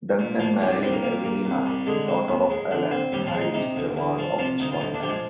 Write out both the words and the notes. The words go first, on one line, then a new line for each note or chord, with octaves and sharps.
Duncan married Avelina, daughter of Alan, High Steward of Scotland.
A#2
F3 A#3 F4
C2 G3 G4
D4 D5
G3 C4 C5
A#3 A#4
A#2
A#3
C2
G3
D3 G#3 G#4
C4
D#2
G#3
D3
C4
D#2 G3 G4
F3 F4
G#3
D#4
C3 D#4
D2
D2
F3
C3 F3 F4
D2 D#4
F4
D2 D#4
D4
F3 G4
G#3 G#4